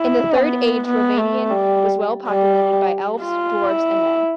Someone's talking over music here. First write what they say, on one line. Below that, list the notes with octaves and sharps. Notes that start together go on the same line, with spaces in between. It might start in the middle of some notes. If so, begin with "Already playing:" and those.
In the Third Age Rhovanion was well-populated by Elves, Dwarves, and Men.
Already playing: E4
B3
B3
A3
G3
G3
F4
E4